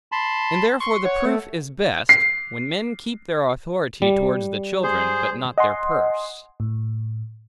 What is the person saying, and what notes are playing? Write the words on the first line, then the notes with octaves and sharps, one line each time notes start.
And therefore the proof is best, when men keep their authority towards the children, but not their purse.
A5 B5 C6
C6 C#6
C#5 F#5
A3
C7
G3
G#4 C5
D#5 F#5 G#5 C6
A2